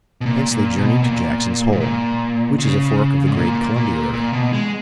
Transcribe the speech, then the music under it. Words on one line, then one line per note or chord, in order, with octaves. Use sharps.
Hence they journeyed to Jackson's Hole, which is a fork of the Great Columbia River.
B2
A#2
A#2
B2
A#2
G#2
A#2
C#3
G#2
A#2
A#2
A#2
B2
G#3